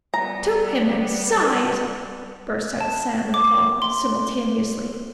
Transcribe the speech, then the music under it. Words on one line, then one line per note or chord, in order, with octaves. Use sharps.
"Took him inside!" burst out Sam and Tom simultaneously.
G3 B3 A#5
A5
D6
C6